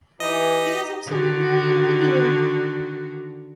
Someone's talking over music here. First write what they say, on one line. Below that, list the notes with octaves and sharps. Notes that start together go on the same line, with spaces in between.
It has also been very irregular.
E3 D#4 G4 D#5
D3 D#3 F#4